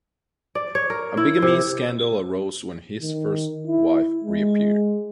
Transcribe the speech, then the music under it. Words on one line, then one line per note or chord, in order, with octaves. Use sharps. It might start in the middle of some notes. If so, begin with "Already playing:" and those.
A bigamy scandal arose when his first wife reappeared.
D5
C#5
A#4
E4
C3
D#3
E4
G#3